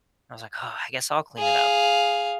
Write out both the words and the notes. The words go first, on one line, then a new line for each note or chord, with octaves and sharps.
I was like, "Oh, I guess I'll clean it up."
G#4 F5